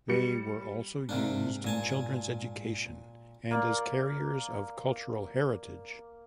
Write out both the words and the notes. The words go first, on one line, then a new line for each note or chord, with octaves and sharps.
They were also used in children's education and as carriers of cultural heritage.
G3 C#7
G#2 C3 A#3 D4
A#2 G#5 A5
A#3 D5